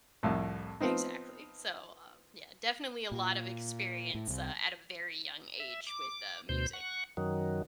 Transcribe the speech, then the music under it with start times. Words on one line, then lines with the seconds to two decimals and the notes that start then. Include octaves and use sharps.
Exactly. So, um, yeah, definitely a lot of experience, uh, at a very young age with, uh, music.
0.23 C2 F2 A2
0.81 F3 B3 C4 D#4
3.12 A#2
4.15 A2
4.28 C2
5.60 E5
5.87 D6
6.49 D2 B2 C5 G6
6.73 F#5 C#6
7.17 F#2 D#3 F#3